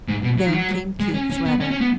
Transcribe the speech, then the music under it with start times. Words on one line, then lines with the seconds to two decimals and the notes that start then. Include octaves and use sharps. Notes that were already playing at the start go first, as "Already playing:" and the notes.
Then came Keith's letter.
0.08 G#2
0.23 B2
0.38 F#3
0.47 D#3
0.53 F#3
1.00 G#3
1.14 C#4
1.31 C#4
1.46 B3
1.60 C#4
1.71 C#4
1.81 B3